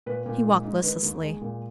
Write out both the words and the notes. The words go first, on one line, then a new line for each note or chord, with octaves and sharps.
He walked listlessly.
A#2 B4
A#2
G#2
G#2
D#3 B4
D#2
G#3
A#2